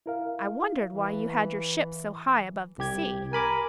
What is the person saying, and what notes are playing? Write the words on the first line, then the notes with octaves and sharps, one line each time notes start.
"I wondered why you had your ship so high above the sea."
E4 A#4 F5
E3
C2 G4 G#6
A#4 G#5 B5 D6